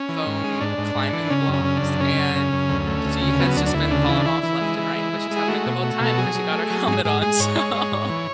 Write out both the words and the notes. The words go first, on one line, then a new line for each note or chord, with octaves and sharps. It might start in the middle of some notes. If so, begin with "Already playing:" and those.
foam climbing blocks and she has just been falling off left and right, but she's having a good old time ‘cause she got her helmet on, so
Already playing: C#4
E3
G#2
G#3
G#2 D4
G#2
G#2
E3
C#3 C#4
F#2
C#4
C#3
D4
F#2
C#3 C#4
F#2
C#3
F#2
D2
A3
D2
C#3
F#3 B3
D2 D4
D4
D2 E4
C#3 D4
E3 E4
D4
E3 E4
E3
G#3
E3
G#3
G#3
G#3
G#4
A3 F#4
B2
A3
B2
A4
F#3 G#4
F#3
A3
F#3
G#2 G#4
G#2 G#4
G#3 G#4
G#2 C#5
G#3
G#3
G#2
E3